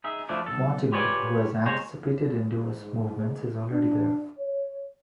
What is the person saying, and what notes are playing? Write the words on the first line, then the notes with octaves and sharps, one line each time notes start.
Mortimer, who has anticipated Indio's movements, is already there.
D#4 G#4 E5
F3 A3 D4 E4
B1 E2 A4
F4 G4 B4 C#5 D5 G#5
C3 G#3 C5 C#5 A#5
G#2
D4
C#5